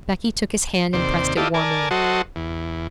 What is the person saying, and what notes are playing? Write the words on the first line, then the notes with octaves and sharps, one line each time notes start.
Becky took his hand and pressed it warmly.
D#2 C3 C5 D5
E4 F4 G4 A4 D5 D#5
A#4 D5 G#5 A5
F#3 F#4 A4 C5 D#5
E2